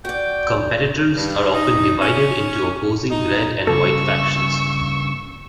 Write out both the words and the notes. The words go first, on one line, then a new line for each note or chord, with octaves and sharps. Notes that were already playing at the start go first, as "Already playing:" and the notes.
Competitors are often divided into opposing red and white factions.
F#4 D5 G5
G2
D#4
C#4
D#4
G2 C#3 A#3 A4 C#6 E6